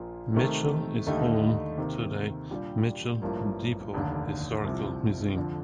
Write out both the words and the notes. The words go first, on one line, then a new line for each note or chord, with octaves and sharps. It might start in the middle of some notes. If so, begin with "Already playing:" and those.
Mitchell is home to the Mitchell Depot Historical Museum.
Already playing: A#1 A#2 F3 A#3 F4
C3 D#3 A3
D#2 D3 A3 D#4 G4
C3 D#3 A#3
A#2 G3 D4 G4
A1 G2 F3 A#3
F1 D#2 D3
C2 C3 F3
F2 D3 F3